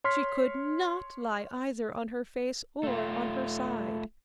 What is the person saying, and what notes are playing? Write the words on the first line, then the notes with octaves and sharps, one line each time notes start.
She could not lie either on her face or on her side.
C#5 C6 F6 B6
A3 F4